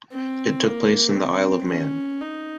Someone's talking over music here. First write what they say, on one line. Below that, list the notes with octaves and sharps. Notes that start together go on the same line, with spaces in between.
It took place in the Isle of Man.
C4
A#3
C4
C#4
D#4